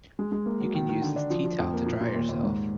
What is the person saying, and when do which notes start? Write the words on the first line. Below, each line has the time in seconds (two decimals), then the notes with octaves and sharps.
You can use this teatowel to dry yourself.
0.19 G#3
0.32 G#3
0.46 A#3
0.60 F#3
0.75 D#3
0.89 D#3
1.02 D3
1.16 D4
1.30 F3
1.44 F3
1.58 F2
1.73 A#3
1.86 A#2
2.01 A#2
2.14 D#2
2.29 D#2
2.43 G#2